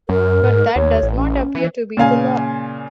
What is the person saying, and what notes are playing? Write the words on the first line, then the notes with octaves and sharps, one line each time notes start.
But that does not appear to be the law.
F#2 A#4
G#2
D#2 C#5
A1
C#4
E3
A#2 C#3 F5 G#5